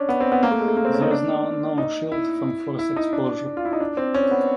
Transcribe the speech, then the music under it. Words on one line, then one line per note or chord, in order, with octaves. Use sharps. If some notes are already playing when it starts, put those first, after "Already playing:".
There is now no shield from forced exposure.
Already playing: C#4 D4
B3
C4
B3
A#3
A3
G#3
A3
A#3
C4
C#4
D#4
D4
D#4
E4
E4
D#4
D4
F4
E4
D#4
D4
C4
C#4
B3